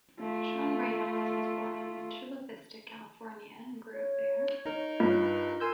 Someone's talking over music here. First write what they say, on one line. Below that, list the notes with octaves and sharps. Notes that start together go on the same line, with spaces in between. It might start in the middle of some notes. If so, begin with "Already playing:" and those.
Sean Reynolds was born in Chula Vista, California, and grew up there.
A3 F4
C#5
D#4 A#4
G2 F4
A#4 G#5 C6 E6 G6